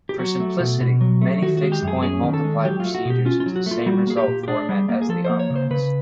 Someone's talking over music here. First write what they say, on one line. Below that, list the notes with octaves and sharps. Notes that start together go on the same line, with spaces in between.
For simplicity, many fixed-point multiply procedures use the same result format as the operands.
G4
F#3 F#4
A3
B2
B2
F#3
A3
D#3 F#4
G#3 F#4
G4
F#2
G#4
C#4 G#4
D#3
A4
G#3
F#3 G4
A3 F4
F#4
B2 G4
C#4 F4
F4
F#3
F#4
A3 F4
G3 F#4
A#3 G#4
G4
A#2
G4
D4 G#4
G3
A#3
G#4
F3 A4
A#3 C5
C#5
C#3
C5
C#3 B4